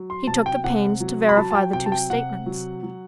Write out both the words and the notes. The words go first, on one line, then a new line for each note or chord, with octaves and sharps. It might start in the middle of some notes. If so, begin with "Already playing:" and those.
He took the pains to verify the two statements.
Already playing: F#3
C6
C3 A5
G5
C3 F#5
F#3
B5
F#3 A5
A5
G5
C3 G5
A5
G5
C3 F#5
F#3
F#3